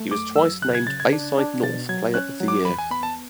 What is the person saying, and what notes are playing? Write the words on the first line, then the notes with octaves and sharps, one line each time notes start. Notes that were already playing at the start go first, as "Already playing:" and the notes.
He was twice named Bayside North Player of the Year.
Already playing: A3
F#2 D6
F#3 E6
C#3 F#6
G#6
C#3 A6
G#6
D4
D4
B2 A6
F#3 G#6
C#4 F#6
F#3
D6
E2 B5
G#5
B3 B5
A5